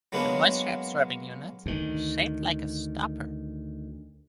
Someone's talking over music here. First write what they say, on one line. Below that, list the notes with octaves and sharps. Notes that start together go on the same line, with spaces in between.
The moisture-absorbing unit is shaped like a stopper.
F#3 G#3 A#3 B3 C#4 D4
D2 D#3